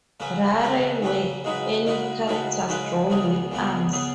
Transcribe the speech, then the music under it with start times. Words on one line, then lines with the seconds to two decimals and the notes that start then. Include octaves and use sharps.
Rarely were any characters drawn with arms.
0.20 C#3 F#3 C#4 B4
0.61 C#3 F#3 C#4 B4
1.02 C#3 F#3 C#4 B4
1.44 C#3 G#3 D#4 F#4 B4
1.86 C#3 G#3 D#4 F#4 B4
2.27 C#3 G#3 D#4 F#4 B4
2.68 C#3 G#3 D#4 F#4 B4
3.10 C#2 C#3 B3 G#4
3.52 C#2 C#3 B3 G#4
3.92 C#3 B3 G#4